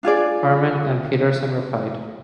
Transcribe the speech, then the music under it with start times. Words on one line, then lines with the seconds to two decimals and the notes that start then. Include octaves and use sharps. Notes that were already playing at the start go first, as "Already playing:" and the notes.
Herman and Peterson replied.
0.03 D4 F4 G#4 D5